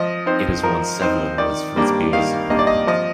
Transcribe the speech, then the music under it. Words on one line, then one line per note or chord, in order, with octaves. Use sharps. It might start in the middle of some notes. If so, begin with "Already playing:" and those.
It has won several awards for its beers.
Already playing: F3 D#5
C4 D#4 C5
F3 A#4
C4 D#4 C5
D#3 D5
G3 A#3 D4
D#3 F5
G3 A#3 D4 D#5
D5
D#5
F3 D#5